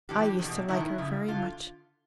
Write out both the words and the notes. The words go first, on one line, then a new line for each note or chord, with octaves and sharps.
I used to like her very much.
G2 E3 G4
E2
B2
G2 D#3 E4
F#2 C#3
D3 F4